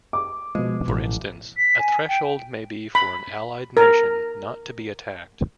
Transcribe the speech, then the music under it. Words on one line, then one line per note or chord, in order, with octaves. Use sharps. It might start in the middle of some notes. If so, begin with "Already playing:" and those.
For instance, a threshold may be for an allied nation not to be attacked.
D6
B2 F3 G#3
A1
B6
G#5
G5
B5
A#4